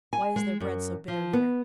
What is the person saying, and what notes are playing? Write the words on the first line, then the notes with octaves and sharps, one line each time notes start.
"Why is their bread so bitter here?"
G#5
G#3
F#2
F3
B3